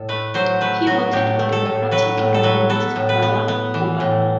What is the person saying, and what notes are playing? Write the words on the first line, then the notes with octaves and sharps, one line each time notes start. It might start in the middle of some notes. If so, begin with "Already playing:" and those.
He voted for Democratic nominee Barack Obama.
Already playing: A2 A4
A3 B4
F#3 C5
A3 B4
F#3 F#4
A2 G4
A3
A4
A2
F#3 B4
A2
A4
F#3 B4
B3 A4
A2
B4
B3
B3
E3
A2